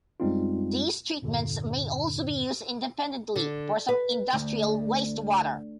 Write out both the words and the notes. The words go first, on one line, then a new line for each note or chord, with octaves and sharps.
These treatments may also be used independently for some industrial wastewater.
F#2 G3 G#3 C4 D#4 F4
E2 G2 A#2 D3
D3
B4
D2